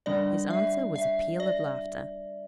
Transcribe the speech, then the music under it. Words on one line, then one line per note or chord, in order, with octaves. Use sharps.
His answer was a peal of laughter.
D3 G3 D4 D5
E5
E5
D5